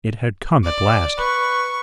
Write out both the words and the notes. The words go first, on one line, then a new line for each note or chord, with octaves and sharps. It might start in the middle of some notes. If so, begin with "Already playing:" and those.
It had come at last.
D5
B4 C#6